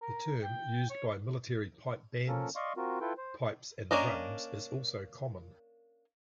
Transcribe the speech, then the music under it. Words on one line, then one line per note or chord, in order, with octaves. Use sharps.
The term used by military pipe bands, pipes and drums, is also common.
A#4
G5
C#5
F3 A#3 C#4 A4 A#4
D5 D#5 F5 C6 C#6
C4 F4 F#4 A#4
E4 F4 A4 B4 G5
C5
A#3 C#4 D4 A#4 D#5